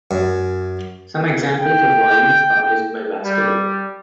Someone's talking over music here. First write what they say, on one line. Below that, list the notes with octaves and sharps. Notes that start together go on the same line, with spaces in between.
Some examples of volumes published by Baskerville.
F#2
G5
G3